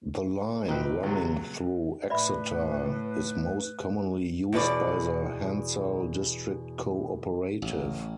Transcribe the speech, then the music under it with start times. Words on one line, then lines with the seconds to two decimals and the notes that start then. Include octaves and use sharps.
The line running through Exeter is most commonly used by the Hensall District Co-Operative.
0.68 A#2 C4 D#4 B4 G5
1.03 C#2 F#3 G3
2.10 A2 B4 D5 E5 B5
4.53 E2 B2 B4 D5
7.62 A1